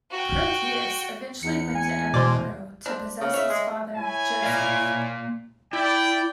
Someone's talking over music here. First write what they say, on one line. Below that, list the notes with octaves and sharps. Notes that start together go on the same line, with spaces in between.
Proteus eventually went to Edinburgh, to possess his father, Joseph.
F#4 G5
E2 C#7
G#5
B2 C5 D5
C4 D4
C#3
C#5 E5
G#3
E4 C#5 G#5
A#3 D5 F5
E4 D5 G5